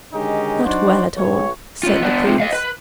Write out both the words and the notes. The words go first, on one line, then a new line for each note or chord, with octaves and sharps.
'Not well at all,' said the Prince.
D3 D#3 G#3 C#4 D#4 G4
F#3 D4 D#4 F#4 C5 D5
B1 C#5
C#4 F4
B3 D4
C3 F3
D#5 F5
B4